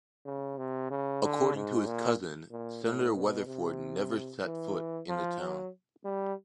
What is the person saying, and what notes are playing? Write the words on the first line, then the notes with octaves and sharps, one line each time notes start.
According to his cousin, Senator Weatherford never set foot in the town.
C#3
C3
C#3
D3
G#2
A#2
A#2
A2
B2
C3
E3
F3
F#3
G3